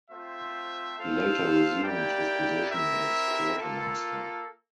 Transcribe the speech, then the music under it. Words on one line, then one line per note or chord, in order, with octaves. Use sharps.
He later resumed his position as quartermaster.
A3 C4 F4 C5 E5
F4 A4 C5 F5
A#3 E4 G4 D5 G5
C4 E4 A#4 E5
A#3 F4 A4